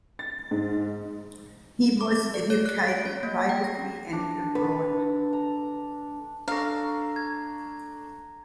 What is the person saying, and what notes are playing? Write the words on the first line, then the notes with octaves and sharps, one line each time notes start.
He was educated privately and abroad.
A6
G#2
D6
D5
C#5
F#6
D7
C#5
A#3
G5
A#6
D4
D3 B4
A#5
D4 A4 F5 A#5 C#6 A#6
G#6